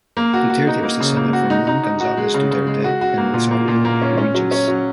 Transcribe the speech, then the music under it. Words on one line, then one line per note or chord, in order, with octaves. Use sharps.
Duterte was the son of Ramon Gonzales Duterte and Rosario Regis.
A#3
F#4
F#4
D#4
A#3
C#3
A#3
F#4
D#4
D#4
D#4
F#4
G#3
C#3
C#3
G#3
F#4
F#4
A#3
A#2
A#3
A#2
A#3
C#4
C#4
F#3
C#4
F#3